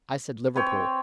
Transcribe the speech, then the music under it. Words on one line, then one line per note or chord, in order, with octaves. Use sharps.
"I said Liverpool."
C4 B4 C#5 G5